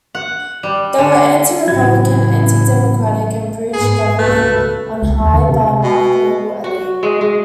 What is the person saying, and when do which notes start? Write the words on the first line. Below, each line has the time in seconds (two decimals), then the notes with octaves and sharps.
They were anti-Republican, anti-democratic, and preached "Government on High", by a marked noble elite.
0.15 F#5
0.63 G3
0.98 D3
1.68 A1 C#3 F#3 E4 G#6
3.73 G#2 B3 G#4
4.19 C#2 G2 B2 A3 A4 B4
5.03 C#2
5.20 D#2
5.34 D3
5.49 C3
5.83 B2
6.64 F#4
7.03 G#3
7.21 G#3